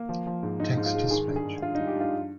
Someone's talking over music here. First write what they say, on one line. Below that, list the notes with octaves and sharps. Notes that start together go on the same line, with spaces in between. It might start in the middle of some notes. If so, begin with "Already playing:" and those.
Text to Speech.
Already playing: A#3
F3
F3
G#2
G#2 D#4
G#2
F4
G#3
D#3 G#4
G2
G#4
G2
G2 F4
D#4
G3
G4
G2
F4